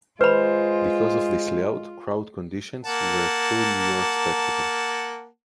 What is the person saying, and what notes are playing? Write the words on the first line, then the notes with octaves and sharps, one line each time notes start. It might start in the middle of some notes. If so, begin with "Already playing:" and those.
Because of this layout, crowd conditions were a true New York spectacle.
G#3 F4 B4 C5 B5
A#3 F#5 A5